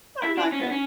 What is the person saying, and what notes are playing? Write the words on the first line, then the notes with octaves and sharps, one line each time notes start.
I'm not good.
E4
D4
C#4
B3
C#4